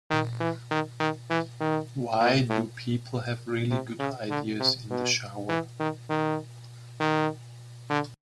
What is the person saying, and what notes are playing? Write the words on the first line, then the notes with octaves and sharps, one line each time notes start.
Why do people have really good ideas in the shower?
D#3
E3
D#3
D#3
E3
D#3
A#2
A2
C3
C#3
D3
C3
B2
E3
D#3
D#3
D#3
D3